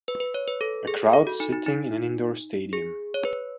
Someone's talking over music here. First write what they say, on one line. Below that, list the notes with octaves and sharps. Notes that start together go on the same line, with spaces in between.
A crowd sitting in an indoor stadium.
B4
B4
C#5
B4
A4
G#4
A4
F#4
D#4
D#4
D#4
G#4
C#5
B4